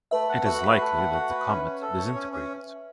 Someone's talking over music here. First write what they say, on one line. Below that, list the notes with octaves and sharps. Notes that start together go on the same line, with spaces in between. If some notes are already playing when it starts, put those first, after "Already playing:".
It is likely that the comet disintegrated.
A3 B4 E5
F#5
F#4 B4 E5
B4
A3
F#5
F#4
B4
C#4
C#4
A4
C#5
C#4
C#4